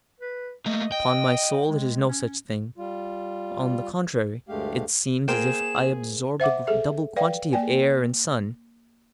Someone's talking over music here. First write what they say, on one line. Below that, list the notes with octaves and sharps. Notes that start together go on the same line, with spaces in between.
Upon my soul, it is no such thing, on the contrary, it seems as if I absorbed a double quantity of air and sun.
B4
A3 A#3 D#5
D#5 G5
G#3
C#4
G3 F4
D2 G2 G#3 A3 G4 F5
A#3 G#4 C5 G5 E7
C5 E5 F#5 D6
G#4 A4 E5
B4 D5 F5 G5
A#3 D5 G5 G#5